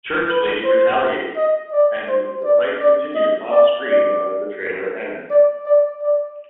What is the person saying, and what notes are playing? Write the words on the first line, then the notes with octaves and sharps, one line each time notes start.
Church Lady retaliates and the fight continues offscreen as the trailer ends.
B4
C5
D#5
D5
C5
D5
D5
D#5
D5
D5
D5
D5
D5